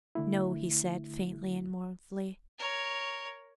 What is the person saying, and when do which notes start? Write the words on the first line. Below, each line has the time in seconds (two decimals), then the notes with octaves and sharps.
"No," he said, faintly and mournfully.
0.15 D3 A3 E4
2.59 A#4 C#5